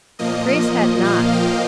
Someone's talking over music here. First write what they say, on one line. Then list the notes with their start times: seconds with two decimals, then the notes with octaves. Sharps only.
Grace had not.
0.19 A#2 F3 A#3 D#5
1.04 F5
1.32 G5